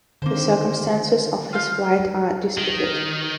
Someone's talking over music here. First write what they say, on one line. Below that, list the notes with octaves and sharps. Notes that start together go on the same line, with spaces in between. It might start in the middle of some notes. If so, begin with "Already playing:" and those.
The circumstances of his flight are disputed.
D3 D#3 A#3 C4 C5
F4 F5 G6
D#3